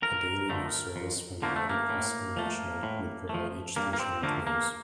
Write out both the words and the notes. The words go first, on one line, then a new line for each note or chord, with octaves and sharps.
A daily news service, from United Press International, would provide each station with news.
F2 A#4
D3 F3 A3
F2
D3 F3 A3 A#3
A3
A#3
A2
F3 A3
A2
F3 A3
G2 A#3
A#3
C4
D3 F3 A3 A#3
A#3